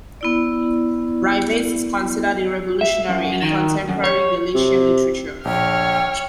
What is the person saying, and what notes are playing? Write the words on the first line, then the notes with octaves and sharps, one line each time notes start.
Rivas is considered a revolutionary in contemporary Galician literature.
B3 E4 D5
E5
F#2
D#3
F#2
C#5
C3
A#1 C#5 G5 F6